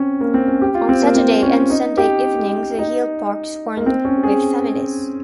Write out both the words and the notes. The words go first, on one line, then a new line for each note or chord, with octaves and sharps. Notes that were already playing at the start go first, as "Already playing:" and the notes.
On Saturday and Sunday evenings the hill park swarmed with families.
Already playing: C4 C#4
A#3
C4
C#4
G4
F4
C4
A#3
C4
C#4
D#4
G4
D#4
A#3
C4
C#4
G#4